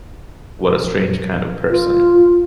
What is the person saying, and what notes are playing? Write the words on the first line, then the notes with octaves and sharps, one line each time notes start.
What a strange kind of person!
F4